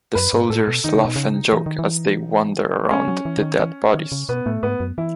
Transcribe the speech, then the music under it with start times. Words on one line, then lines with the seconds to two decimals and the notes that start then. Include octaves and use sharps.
The soldiers laugh and joke as they wander around the dead bodies.
0.15 F#2 B4
0.33 G#2
0.50 A2 A4
0.68 B2
0.84 D#3 D#4
0.95 C#3
1.05 B2
1.16 C#3
1.53 E3
1.66 D#3
1.79 E3
2.91 G#3 C#4
3.08 F#3
3.25 E3
3.38 C#3
3.42 D#3
3.59 E3
3.94 D#3
4.12 C#3
4.29 B2 B3
4.46 A2 A3
4.63 G#2 B3
4.80 F#2
4.98 E3 E4